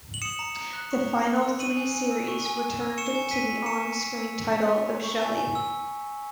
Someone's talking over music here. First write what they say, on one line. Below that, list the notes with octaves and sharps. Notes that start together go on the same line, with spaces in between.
The final three series returned to the on-screen title of Shelley.
F#7
D#6 C#7 E7
A#5
A#5
F#6
C#6
A#5
A#5
E6
C#6 D#7 F#7
G#5
G#5
E6
C#6
G#5
G#5
E6
C#6 C#7 E7
G#5
G#5 B6 D#7
E6
C#6 C#7 E7
G#5
G#5
E6
E6
E6
A#5
A#5
C#6
G#5
G#5
E6